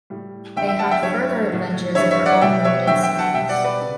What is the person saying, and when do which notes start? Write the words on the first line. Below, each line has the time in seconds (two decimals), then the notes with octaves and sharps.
They had further adventures in their own limited series.
0.10 A2 G3
0.56 E2 D3 G3 E5 G5
0.68 E5 G5
0.79 F#5 A5
0.91 E5 G5
1.03 G2 F#3 C#5 E5
1.49 A2 F#3
1.95 G2 E3 G3 C#5 E5
2.11 C#5 E5
2.26 D5 F#5
2.41 B2 G3 E5 G5
2.64 C#5 E5
2.87 E2 D3 F#3 E5 G5
3.03 E5 G5
3.18 F#5 A5
3.34 B2 G3 E5 G5
3.49 D5 F#5
3.64 B4 D5
3.82 C#3